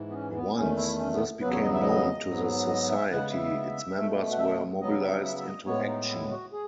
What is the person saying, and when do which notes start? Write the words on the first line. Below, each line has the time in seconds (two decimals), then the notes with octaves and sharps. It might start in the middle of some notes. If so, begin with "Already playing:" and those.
Once this became known to the Society its members were mobilized into action.
Already playing: G#2 E3
0.09 B3
0.14 C#4
0.35 B3
0.56 E2 D#3 A3 C#4
0.77 E4
0.98 C#4
1.13 B3
1.41 E2 C#3 F#3 B3 B4
1.52 C#5
1.63 D#5
1.74 E5
1.83 D#5
2.26 G#2 F#3 B3
2.68 D#5
2.89 E5
3.11 C#3 G#3 B3 F#5
3.32 E5
3.97 B2 A3
4.32 F#5
4.39 E5
4.81 C#3 F#3 B3 D#5
5.03 E5
5.24 E5
5.38 E5
5.45 D#5
5.66 A2 G#3 B3 C#5
5.88 D#4
6.10 E4
6.31 F#4
6.52 G#4